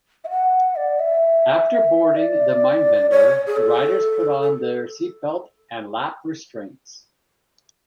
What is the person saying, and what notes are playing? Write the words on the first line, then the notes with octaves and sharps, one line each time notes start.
After boarding the Mindbender, riders put on their seatbelt and lap restraints.
E5
F#5
D5
E5
D5
C#5
G#4
A4
A4